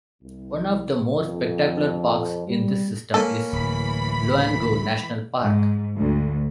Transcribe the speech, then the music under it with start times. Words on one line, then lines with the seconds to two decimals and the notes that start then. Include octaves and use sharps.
One of the more spectacular parks in this system is Loango National Park.
0.22 C2
1.15 F2
2.48 G3
3.14 A#3 C#4 A4 B4
3.52 D1 E3 B5
5.40 G#2
5.96 D2